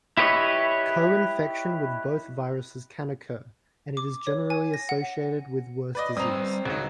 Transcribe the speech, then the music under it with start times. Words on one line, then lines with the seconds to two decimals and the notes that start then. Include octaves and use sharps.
Co-infection with both viruses can occur, and is generally associated with worse disease.
0.17 E4 G4 B4 C#5 D#5
3.97 D6
4.27 C#5
4.50 G#5
4.74 A#6
4.89 F#5
5.95 B4 D5 D#5
6.17 G3 C4 A#5 D#6 F7
6.65 C#2 F#3 D#4